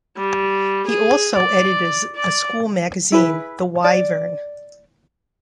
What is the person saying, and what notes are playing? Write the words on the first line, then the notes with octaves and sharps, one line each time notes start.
He also edited a school magazine, "The Wyvern".
G3
G#4
D5
D5
E4 G#4 B4
D5